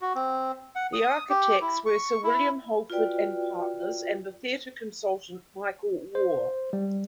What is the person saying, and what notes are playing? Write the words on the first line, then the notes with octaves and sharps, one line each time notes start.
The architects were Sir William Holford and Partners and the theatre consultant Michael Warre.
F#4
C4
F#5
D#6
G4
E4
C#6
E4
F4 F#4 B4 D5 G5
C5
G3